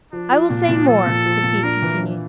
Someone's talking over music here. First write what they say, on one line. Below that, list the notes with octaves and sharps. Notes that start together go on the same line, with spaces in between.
"I will say more," the thief continued.
F3 D4
F4
A#2
A#2
F3 A4
A#2
F3
A#2
D4 A#4
E3
D4